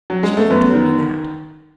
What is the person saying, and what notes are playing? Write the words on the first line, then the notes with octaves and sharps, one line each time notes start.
She never told me that.
F#3
G#3
A3
F#2 B3
D#3